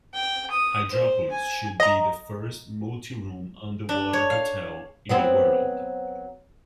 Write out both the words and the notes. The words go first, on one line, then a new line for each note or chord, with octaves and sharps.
Hydropolis should be the first multi-room underwater hotel in the world.
G5
D#6
C5
G#5
D#5 A#5
D4
C#5
F5
F#3 B3 C4